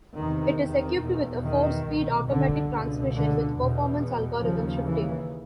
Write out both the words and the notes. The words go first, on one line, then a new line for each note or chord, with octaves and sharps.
It is equipped with a four-speed automatic transmission with performance algorithm shifting.
E2 C3 D#3
D#3
E2 B2
D#3
C2 B2
D3
C#2 B2 D3
D3
E2 B2
D#2 C#3 F3
E3